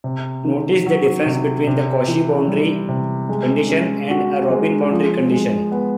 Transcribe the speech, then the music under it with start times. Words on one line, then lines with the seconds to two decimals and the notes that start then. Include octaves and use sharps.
Notice the difference between a Cauchy boundary condition and a Robin boundary condition.
0.04 C3
0.45 D#3
0.86 F#3
1.26 C3
1.67 C3
2.08 E3
2.48 G3
2.89 C3
3.29 G#3
3.69 C#4
4.10 F#4
4.50 G#3
4.91 F3
5.32 G#3
5.72 B3